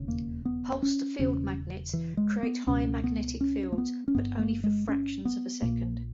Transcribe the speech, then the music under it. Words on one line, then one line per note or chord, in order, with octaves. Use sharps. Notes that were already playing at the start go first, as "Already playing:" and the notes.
Pulsed field magnets create high magnetic fields, but only for fractions of a second.
Already playing: E1 D#2 C#3
A#3
B3
C#4
E1 E2 C#3 C#4
E3
G#3
B3
C#2 B2 C#4
B3
C#4
A#3
B3
C#4
G1 G2 B3
A#3
G#3
C#4
B3
A#1 A#2 A#3